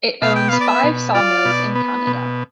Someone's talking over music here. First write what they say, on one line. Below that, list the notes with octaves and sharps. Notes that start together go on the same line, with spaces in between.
It owns five sawmills in Canada.
B2 F5
G5
F5
B3
D5
E5
B2
F4 D5
B2
B3
B2